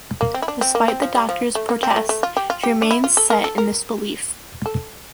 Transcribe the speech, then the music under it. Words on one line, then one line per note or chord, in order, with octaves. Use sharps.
Despite the Doctor's protests, she remains set in this belief.
A#3
C4
E4
D4
C4
A#3
C4
F3
G3
F3
A3
A#3
C4
G3
A3
A3
F4
G4
F4
G4
D4
E4
F4
A4
A#4
A4
A#4
A4